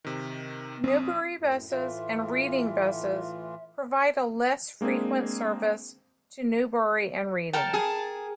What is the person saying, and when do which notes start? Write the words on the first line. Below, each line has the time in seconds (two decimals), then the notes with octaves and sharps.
Newbury Buses and Reading Buses provide a less frequent service to Newbury and Reading.
0.05 C3 D#3
0.84 A#1 C4 D#6
1.36 F#2 A2
1.70 A2 E3 F4 E5
4.81 G#3 A#3 C4 D4 G#4
7.53 A4 A#4 G5 A5
7.74 G#4